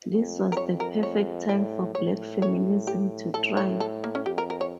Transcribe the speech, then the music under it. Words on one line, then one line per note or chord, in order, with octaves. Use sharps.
This was the perfect time for black feminism to thrive.
F2
A#4
C#5
A#4
C#5
A2 D5
A2 C#5
C#5
G4
A2 A4
C#5
A4
A#3
C#4
F2 G4
A#4
A#4
C#5